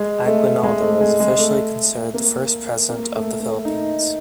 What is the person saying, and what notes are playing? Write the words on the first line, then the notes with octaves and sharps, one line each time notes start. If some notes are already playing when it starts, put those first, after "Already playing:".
Aguinaldo is officially considered the first President of the Philippines.
Already playing: G#3
A3
G#3
A3
G#3
G#3
A3
A#3
A#3
A3
A3
D#4